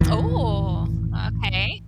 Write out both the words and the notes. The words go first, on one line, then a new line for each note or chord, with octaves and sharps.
Ooh, okay.
A1 F2 D#3 E3